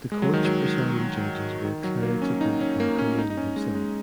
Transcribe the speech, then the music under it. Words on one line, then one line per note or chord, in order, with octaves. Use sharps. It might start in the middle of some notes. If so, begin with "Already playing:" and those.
The courts presiding judges were clerics appointed by Khomeini himself.
G#3
F#3
D#3
F#3
D#3
F#3
A#3
C#4
D#4
C#4
A#3
C#4
D#4
D#4
C#4
G#3
G#3